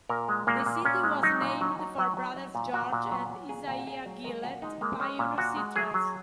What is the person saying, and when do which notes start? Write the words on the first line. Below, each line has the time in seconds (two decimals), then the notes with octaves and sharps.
The city was named for brothers George and Isaiah Gillett, pioneer settlers.
0.09 A#2 A#4
0.29 G#3
0.47 A#2 A#3
0.66 A#2
0.85 A#2 C#4
1.03 G#3
1.23 F#3 D#4
1.41 A#2
1.61 F#3
1.79 F#3
1.98 F#3
2.17 F#3
2.36 F#3
2.55 A#2
2.73 A#2 F#4
2.93 A#2
3.11 F#3
3.30 F#3
3.49 A#2 G#4
3.68 A#2
3.78 F#4
3.87 A#2 G#4
4.06 F#3
4.24 G#3 A#4
4.43 A#2 F#4
4.62 G#3 D#4
4.81 G#3 A#3
5.00 G#3 C#4
5.19 A#2
5.38 A#2 F#4
5.57 G#3
5.76 F#3 G#4
5.94 F#3